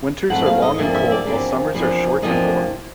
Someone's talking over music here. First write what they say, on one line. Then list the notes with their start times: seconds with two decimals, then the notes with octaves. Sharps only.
Winters are long and cold, while summers are short and warm.
0.30 B2 F#3 A3 C4 E4 F#5
0.46 F5
0.62 D#5
0.78 E2 C3 F3 A#3 D4 E5
0.94 E5
1.11 D5
1.26 E2 C3 F3 A#3 D4
1.74 E2 C3 F3 A#3 D4
2.22 E2 C3 F3 A#3 D4 D#5